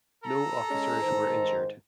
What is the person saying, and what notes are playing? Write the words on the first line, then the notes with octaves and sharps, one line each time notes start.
No officers were injured.
A4 A#5
G#3 C#4 G#4
G#2 D#3 C5